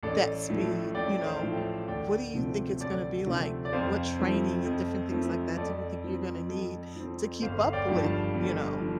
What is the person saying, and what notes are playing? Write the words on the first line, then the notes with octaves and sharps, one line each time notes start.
that speed, you know, what do you think it's gonna be like? What training and different things like that do you think you're gonna need to keep up with, you know,
A1 A4 D5
A2 F3 A3
A1 D5 G5
C5 F5
A2 F3 A3
G5
F5 A5
D2 D5 G5
C3 F3 A3 C4
D2 A4 D5
C3 F3 A3 C4
D5
F2 C5 F5
F3 A3 C4
F2
F3 A3 C4
F2 A4 D5
F3 C4
F2
F3 C4
G1 C5 F5
F5
D5 G5
G2 F3
F5 A5
G1
F3